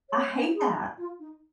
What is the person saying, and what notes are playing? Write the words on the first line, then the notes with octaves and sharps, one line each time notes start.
I hate that.
C#5
G#4
F4
D#4